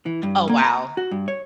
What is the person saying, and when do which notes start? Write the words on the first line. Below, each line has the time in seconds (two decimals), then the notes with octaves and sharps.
Oh, wow!
0.06 E3
0.23 G2
0.49 A#3
0.62 A#5
0.97 F#4
1.11 G2
1.28 C#5